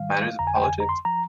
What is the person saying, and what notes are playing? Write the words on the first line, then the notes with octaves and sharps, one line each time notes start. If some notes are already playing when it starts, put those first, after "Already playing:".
Matters of politics?
Already playing: G#2 D#3 G3 F5
G1 F2 D3 A#5
G#5
G5
G#5
A#5
C6
F3 A#5